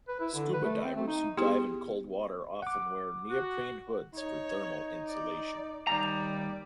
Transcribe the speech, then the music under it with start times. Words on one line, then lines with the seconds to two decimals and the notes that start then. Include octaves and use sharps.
Scuba divers who dive in cold water often wear neoprene hoods for thermal insulation.
0.08 B4
0.20 E4
0.34 D3
0.53 B4
0.65 A3
0.84 C4
0.96 A3
1.07 D#4
1.38 B3 E4 G4 G#4
2.62 F#5 D6
3.30 F#4
4.14 D#4 C#5
5.07 D5
5.87 D#2 G3 D#4 D5 A#5